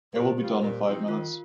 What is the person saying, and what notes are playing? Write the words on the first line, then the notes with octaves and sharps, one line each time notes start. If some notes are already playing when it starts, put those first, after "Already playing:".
It will be done in five minutes.
A#2 G4 C5
G3 C4 F4
A#2
F3 C4 D#4
D#3 F4 A#4